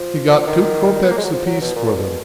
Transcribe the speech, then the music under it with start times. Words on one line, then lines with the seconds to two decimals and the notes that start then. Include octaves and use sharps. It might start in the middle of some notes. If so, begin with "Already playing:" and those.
He got two kopeks apiece for them.
Already playing: F3
0.47 D#3
1.03 B3
1.11 A#3
1.18 G#3
1.25 F#3
1.33 F3
1.46 F#3
1.61 B2
1.76 A#2
1.97 B2